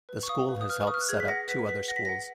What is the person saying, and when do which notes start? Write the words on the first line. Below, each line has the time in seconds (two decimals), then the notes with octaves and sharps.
The school has helped set up two other schools.
0.09 B4
0.23 C#6
0.29 F5 D#6
0.49 B4
0.61 D#6
0.69 B4 F6
0.81 C#6
0.87 B4 D#6
0.94 F6
1.01 F#6
1.09 G#4 G#6
1.20 B6
1.28 F#5 A#6
1.48 B4 B6
1.68 B4 B6
1.88 F#5 A#6
1.96 B6
2.05 F#5 A#6